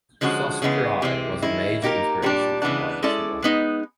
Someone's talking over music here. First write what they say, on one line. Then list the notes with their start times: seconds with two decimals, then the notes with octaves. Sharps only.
Sospiri was a major inspiration for Michael Schumacher.
0.21 D3 F3 G#3 C#4 F#4
0.62 C#3 E3 G#3 B3
1.02 C3 E3 G#3 C4
1.42 D#3 G#3 C#4 E4
1.82 A#3 D#4 G4 A#4
2.22 A#2 G3 B3 D4 G4
2.62 C#3 E3 G#3 B3 D4
3.03 G#3 C#4 E4 A4 D5
3.42 G#3 B3 D#4